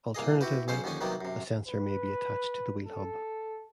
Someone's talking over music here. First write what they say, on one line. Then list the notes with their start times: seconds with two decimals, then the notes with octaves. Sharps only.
Alternatively, a sensor may be attached to the wheel hub.
0.15 C2 A#3 G#4 D#5
0.41 E4 F#4 G4 B4
0.68 B1 C#3 C#4 C5 F5
0.84 D#2 D3 F3 C#4 G#5
1.01 C3 D#3 F#3 G3 A#3 B3
1.21 F#2 C3
1.67 B4
2.86 A4